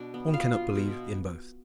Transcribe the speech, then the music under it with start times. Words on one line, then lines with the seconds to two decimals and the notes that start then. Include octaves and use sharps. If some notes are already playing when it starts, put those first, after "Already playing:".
One cannot believe in both.
Already playing: B2 D4
0.14 B3
0.34 F4 F5
0.54 F4
0.75 B2